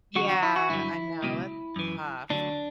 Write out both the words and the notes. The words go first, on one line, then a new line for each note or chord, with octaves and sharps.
Yeah, I know, that's tough.
E2 D3 F#3 F#4
F#4
E4
F#4
G2 D3 F#3 E4
C#2 B2 F#3
F#2 E3
D2 D3 F#3 D4